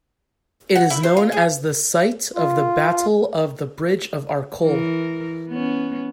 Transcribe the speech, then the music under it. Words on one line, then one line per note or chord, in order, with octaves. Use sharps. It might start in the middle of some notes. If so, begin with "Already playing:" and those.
It is known as the site of the Battle of the Bridge of Arcole.
F#5
E4
C5
F4
G#4
F4
E3 A#4
B3 C#4